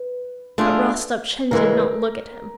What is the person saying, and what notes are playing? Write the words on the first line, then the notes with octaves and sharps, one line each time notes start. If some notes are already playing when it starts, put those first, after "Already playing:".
But Rostopchin did not look at him.
Already playing: B4
A3 D4 F4 G#4
C#3 E3 G#3 A#4